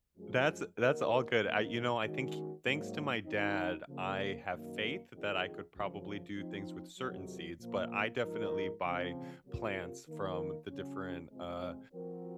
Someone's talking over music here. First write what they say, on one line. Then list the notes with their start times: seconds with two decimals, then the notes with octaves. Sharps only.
That's that's all good, I you know, I think thanks to my dad, I have faith that I could probably do things with certain seeds, but I definitely buy plants from the different, uh,
0.16 F#2 F3 G#3
0.79 D#3 A#3 D#4 F#4 A#4
1.41 G#2 D#3 A#3
2.02 D#3 G#3 C#4 F#4
2.65 G#2 F#3 A#3
3.26 F#2 D#3 F#3 C4 D#4
3.88 C#3 F3 A#3
4.49 F#2 D#3 A#3
5.13 F2 D#3 A#3 F4 G#4
5.74 F#2 C#3 F3
6.36 F3 C4 D#4
6.98 F2 C3 D#3 F#3
7.59 A#2 F3 A#3
8.22 G#2 F3 G#3 D#4 A#4
8.84 C#3 F3 C4
9.45 C3 F#3 A#3 F4 A#4
10.08 D#3 A#3 D#4 A#4
10.69 C#3 F#3 C#4
11.31 F2 C3 F3 G#3 C4
11.93 F3 C4 F#4 A#4